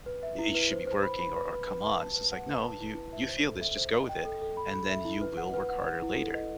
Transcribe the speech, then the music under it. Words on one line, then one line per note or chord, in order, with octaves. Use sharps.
y you should be working," or or "Come on." it's just like, "No, you you feel this, just go with it." and then you will work harder later.
B4
E5
E4
B4
C5
C5
B5
B5
B4
B4
B4
B4
A5
B4
F#5
B4
A5
E4
B4
E5
C5
A4
E5
C5
D#5
G5
A4
A4
B5
B5
E5
E4
B4
F#5
B4
F#5
F#5
E4
A4
D#5